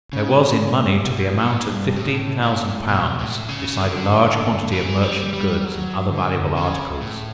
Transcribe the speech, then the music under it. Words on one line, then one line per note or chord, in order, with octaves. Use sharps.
There was in money to the amount of fifteen thousand pounds, besides a large quantity of merchant goods, and other valuable articles.
C#3
B2
A2
G2
A2
A2
B2
A2
C#3
D3
E3
G3
G3
F#3
D3
C#3
A2